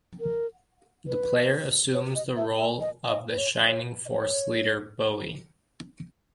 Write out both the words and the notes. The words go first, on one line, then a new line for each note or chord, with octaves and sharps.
The player assumes the role of the Shining Force leader, Bowie.
A#4
B4
C#5
D#5
E5
E5
D#5
D#5
B4
C#5
C#5
D#5
C#5